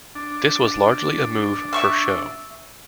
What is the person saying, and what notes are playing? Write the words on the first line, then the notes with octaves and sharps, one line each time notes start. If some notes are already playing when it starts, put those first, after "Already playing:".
This was largely a move for show.
D4
E5 C#6 E6